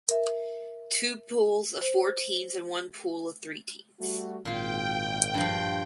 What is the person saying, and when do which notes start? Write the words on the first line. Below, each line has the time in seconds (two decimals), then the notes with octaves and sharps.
Two pools of four teams and one pool of three teams.
0.09 A#4 E5
1.81 C5
4.00 G3 A3 F#4
4.45 G#1 A#2 F4 G5
5.34 G2 F3